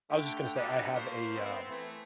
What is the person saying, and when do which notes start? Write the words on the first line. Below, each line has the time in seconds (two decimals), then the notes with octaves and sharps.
I was just gonna say, I have a, um
0.10 D3 A3 G4 G5
0.56 G3 D4 D#4 F#4 A4 B4
0.94 A3 A#3 C#4 A#4 C5
1.35 B3 C4
1.69 E3 A3